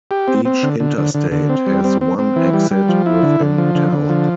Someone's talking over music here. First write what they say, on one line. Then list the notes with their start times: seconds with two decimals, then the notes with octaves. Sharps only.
Each interstate has one exit within town.
0.11 G4
0.28 C4
0.45 C4
0.63 D3
0.80 D3
0.98 D3
1.14 D3
1.32 D3
1.49 C4
1.66 G3
1.84 C4
2.01 C4
2.19 C4
2.36 E3
2.54 G3
2.71 G3
2.88 F3
3.06 E4
3.23 D3
3.40 D3
3.58 F3
3.75 D3
3.93 D3
4.09 F3